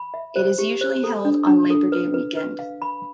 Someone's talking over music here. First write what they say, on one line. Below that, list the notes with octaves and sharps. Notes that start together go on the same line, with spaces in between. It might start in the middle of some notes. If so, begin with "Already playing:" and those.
It is usually held on Labor Day weekend.
Already playing: B5
E5
C5
G4
C5
A4
D4
D4
A4
B4
B4
B4
F5
B5